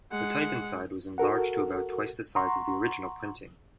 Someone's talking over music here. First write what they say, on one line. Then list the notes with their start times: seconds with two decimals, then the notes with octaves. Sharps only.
The type inside was enlarged to about twice the size of the original printing.
0.12 G#3 F#5
1.18 F#4 A4 A#4 F#5
2.36 F#5 A#5 C6 C#6